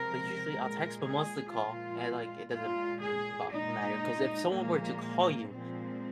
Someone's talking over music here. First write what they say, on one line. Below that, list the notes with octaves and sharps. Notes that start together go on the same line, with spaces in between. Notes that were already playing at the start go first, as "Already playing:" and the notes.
but usually, I'll text, but mostly call, and, like, it doesn't m bo matter, 'cause if someone were to call you,
Already playing: C3 F3 G#3 A#4
A#2 G#3
G#4
A#2 F3 G#3 F4
A#2 G#3 F4
G#4
A#2 G#3 D#4
A#2 F3 G#3 A#3
A#2 F3 G#3 C4